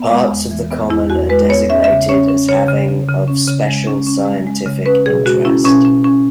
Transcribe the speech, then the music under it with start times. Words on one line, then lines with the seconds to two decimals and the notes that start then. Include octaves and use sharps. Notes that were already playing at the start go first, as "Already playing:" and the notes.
Parts of the common are designated as having of Special Scientific Interest.
Already playing: B3
0.11 G#3
0.30 E2
0.51 E3
0.71 B3
0.90 E2 E4
1.10 E2 F#4
1.29 G#3 B4
1.49 B3 C#5
1.69 C#4 E5
1.84 E5
1.90 C#3
2.09 C#4 C#5
2.29 C#4
2.49 C#3 C#5
2.68 C#3
2.89 C#3
3.09 C#3
3.28 C#4
3.48 C#3
3.67 G#3
3.87 C#4
4.07 C#4
4.26 G#3
4.47 G#3
4.66 C#3
4.86 C#4 B4
5.06 B2 G#4
5.25 G#3 F#4
5.45 C#4 E4
5.65 B2 C#4
5.85 C#4
6.04 C#4